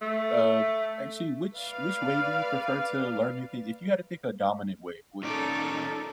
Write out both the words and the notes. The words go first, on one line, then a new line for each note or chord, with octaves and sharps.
uh, actually, which which way do you prefer to learn new thin If you had to pick a dominant way, would it be?
A3
B4 D5 F5
A#2 C#4 D#4 A4 D5